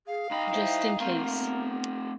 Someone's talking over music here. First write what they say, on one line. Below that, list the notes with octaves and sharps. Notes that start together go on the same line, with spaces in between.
Just in case.
G#4 F5
B1 D#4 G5 B5
E4 C5
A3 A#3 C4
B3